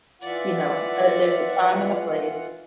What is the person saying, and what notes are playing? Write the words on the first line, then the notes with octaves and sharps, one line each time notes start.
You know, uh, there's a time and a place.
E3 F4 D5 E5 F#5